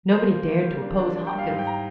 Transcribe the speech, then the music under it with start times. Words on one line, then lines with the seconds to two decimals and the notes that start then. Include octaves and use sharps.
Nobody dared to oppose Hopkins.
0.14 A#3 C5
0.31 A#3
0.47 A#3
0.65 G3
0.82 D4
0.99 D4
1.16 D4 D5
1.27 G5
1.33 G3
1.39 F5
1.50 G#2 F5
1.59 G5
1.67 A#5